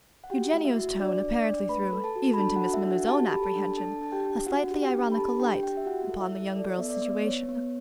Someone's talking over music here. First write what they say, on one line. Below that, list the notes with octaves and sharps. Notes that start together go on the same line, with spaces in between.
Eugenio's tone apparently threw, even to Miss Miller's own apprehension, a slightly ironical light upon the young girl's situation.
F#5
F#4 G4 G5
A3
E4 E5
F#4
D4 D5
D4
D5
D4
A3 B4 B5
A4
A4 A5
F#4
B5
D4 A4 A5
F#4 F#5
A4
E4 E5
D4
F#4 F#5
G4 A4 A5
G4 B5
A4 A5
D4
D4 A4 A5
D4 A5
G4 G5
D4
D4 F#4 F#5
G4
G4 G5
D4
B5
G4 A4 A5
D4 G4 G5
G4 G5
E5
E4 F#4 F#5
A4
E4 E5
E4
A4 D5
B3 E5
D5
B3
B3 C#5
B3